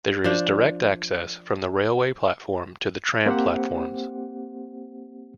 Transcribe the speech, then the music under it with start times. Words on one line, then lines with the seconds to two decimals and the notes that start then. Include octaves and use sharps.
There is direct access from the railway platform to the tram platforms.
0.24 F3 D4
3.26 A#3 C4 G4 C5 F#5